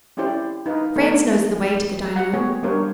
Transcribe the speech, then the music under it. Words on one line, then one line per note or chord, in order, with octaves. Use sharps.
Franz knows the way to the dining-room.
C4 C#4 E4 G4 C5 D5
D#4 B4 F5
A3 B3 D4 D#4 A4
F#4 F#5 A#5
B3 C4 G#4 C#5
G3 A#3 D4 A#4 C5 C#5